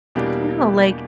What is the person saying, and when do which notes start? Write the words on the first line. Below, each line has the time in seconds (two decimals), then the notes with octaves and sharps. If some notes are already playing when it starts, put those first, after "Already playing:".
I don't know. Like,
0.15 E2 B2 G3 A#3 D4 G4